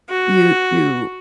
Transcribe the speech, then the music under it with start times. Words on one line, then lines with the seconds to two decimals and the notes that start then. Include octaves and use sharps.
you you
0.10 F#4